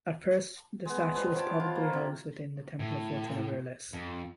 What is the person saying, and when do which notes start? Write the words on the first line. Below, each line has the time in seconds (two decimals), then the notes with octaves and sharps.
At first, the statue was probably housed within the temple to Fortuna Virilis.
0.85 G#3 B3
1.13 F3 G3 B3 D#5
1.34 F3 C#5 G5 A5
1.60 F4
1.75 A#3
1.93 C3
2.79 A2
3.93 F2